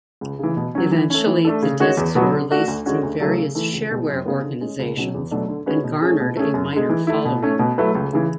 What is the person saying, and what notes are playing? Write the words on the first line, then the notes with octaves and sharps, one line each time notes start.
Eventually the disks were released through various shareware organizations and garnered a minor following.
C#2
C#3 E3
B2
F#3 C#4
E3
A3 C#4
E3
A3 D4 A4
C#3
G#3 C#4 F#4 C#5
E2
B2 F#3 B3 F#4
D3
A3 D4 F#4
D2
D3 G#3 C#4 F#4
D2
C#3 F#3 A3 C#4
C#3
E3 A3
C#2
B2 G#3
F#2
C#3 G#3 B3
D3
G#3 C#4 G#4
C#2
B2 F#3 C#4
E2
B2 F#3 A3 D4
D3
G#3 C#4 F#4 B4
B2
A3 C#4 G#4
B2
A3 C#4 G#4
F#2
D3 G#3
E3
A3 E4
B2
A3 C#4
B2
F#3 A3 E4 B4
C#2
C#3 E3